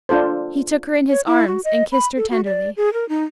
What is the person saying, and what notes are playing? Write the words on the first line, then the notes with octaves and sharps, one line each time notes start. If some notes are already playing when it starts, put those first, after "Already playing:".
He took her in his arms and kissed her tenderly.
D4 F4 A4 C5
C#5
E4
F#4
D#5
B5
A4
F#4
D5
G#4
A#4
D#4